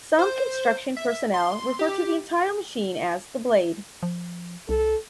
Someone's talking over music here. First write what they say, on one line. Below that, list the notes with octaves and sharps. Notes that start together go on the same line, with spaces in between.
Some construction personnel refer to the entire machine as "the blade".
C5
E5
C6
G4
F3
C2 A4